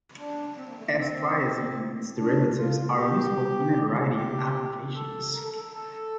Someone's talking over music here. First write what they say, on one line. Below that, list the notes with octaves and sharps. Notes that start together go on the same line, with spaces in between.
S-triazine and its derivatives are useful in a variety of applications.
D4
C4
A#3
A3
A#3
C4
D4
F4
G4
G4
A4
A#4
A4
A4
A4